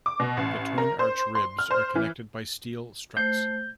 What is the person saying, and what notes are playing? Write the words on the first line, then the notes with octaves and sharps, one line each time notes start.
The twin arch ribs are connected by steel struts.
D6
B2
A1
A#4
C5
C6
F6
C5
E3
A3 C5 G6